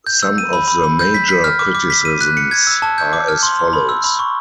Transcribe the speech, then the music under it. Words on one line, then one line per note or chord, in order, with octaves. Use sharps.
Some of the major criticisms are as follows.
G6
E6
D#7
B5
B5
B5
G6
B6
B6
F6
D6
D6
B6
D#7
F#6
C#7
G#6
E6
A5
G6
D6
F6
C6
C6
B5
E6
B5
C#6